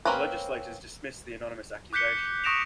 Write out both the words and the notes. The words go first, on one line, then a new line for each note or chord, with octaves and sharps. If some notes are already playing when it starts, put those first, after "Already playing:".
The legislators dismissed the anonymous accusations.
A#3 C4 C#4 A#4 B4
D6 F#6 G6 B6 C#7 G7
C#6 D#6 A#6 D7 E7 F7